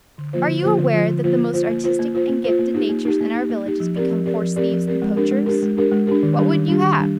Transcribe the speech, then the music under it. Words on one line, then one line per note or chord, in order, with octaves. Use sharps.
Are you aware that the most artistic and gifted natures in our villages become horse-thieves and poachers? What would you have?
D3
F3 A#3 F4 C5
D3
F3 A#3 F4 C5
D3
F3 A#3 F4 C5
D3
F3 A#3 F4 C5
A#3
F4 C5
A#3
F4 C5
A#3
F4 C5
A#3
F4 C5
A#3
D#4 G4
A#3
D#4 G4
A#3
D#4 G4
A#3
D#4 G4
F3
C4 G4 A#4 D5
F3
C4 G4 A#4 D5
F3
C4 G4 A#4 D5
F3
C4 G4 A#4 D5
G#3
D4 G4 A#4
G#3
D4 G4 A#4
G#3
D4 G4 A#4
G#3
D4 G4 A#4
D#3
G3 D4 G4
D#3
G3 D4 G4
D#3
G3 D4 G4